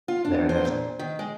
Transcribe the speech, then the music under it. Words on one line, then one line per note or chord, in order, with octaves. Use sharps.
There it is.
F4
D4
C5
A#2
D#3
G#3